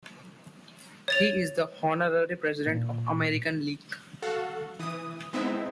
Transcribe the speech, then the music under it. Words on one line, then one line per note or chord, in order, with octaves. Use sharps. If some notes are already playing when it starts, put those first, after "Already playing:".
He is the honorary President of the American League.
C#5 A6 F7
A#2
F#4 A4 F5 F#5
E3 D#6
G#3 B3 C4 D#4 E4 E5